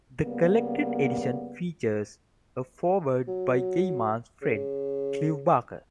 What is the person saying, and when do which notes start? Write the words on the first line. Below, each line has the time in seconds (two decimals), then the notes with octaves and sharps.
The collected edition features a foreword by Gaiman's friend Clive Barker.
0.23 C#3 G3 A#3 B3
3.27 F#3
4.42 C#3